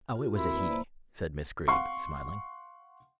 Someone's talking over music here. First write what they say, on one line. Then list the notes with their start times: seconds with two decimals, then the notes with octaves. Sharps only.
"Oh, it was a 'he,'" said Miss Greeb, smiling.
0.16 F4 G4
0.36 C4 E4 F#4 A#4
0.53 A#3 B4 D5
0.69 A#3 C5
1.68 F5 F#5 C6 C#6